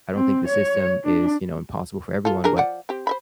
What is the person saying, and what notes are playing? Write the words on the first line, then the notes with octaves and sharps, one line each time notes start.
I don't think the system is, you know, impossible for everyone but,
C4
C#5
D4
F4 A4
D4 G#4 A#4
F3 D5 F#5
C4 G4
C5 E5 B5